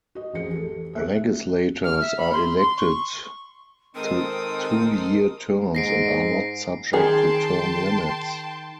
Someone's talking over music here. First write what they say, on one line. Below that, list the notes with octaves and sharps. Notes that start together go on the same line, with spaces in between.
Legislators are elected to two-year terms and are not subject to term limits.
F#4 D#5
A1 F2 F#4 G#4 C#7
G4 A4
A4 E5 F#6
F6
E5
B5
C6
C6
C#6
D#3 G#3 C4 D#4 A4 A#4 D#6
G#2 A#6 C7 D7
D#3 G#4 G5 A5 C6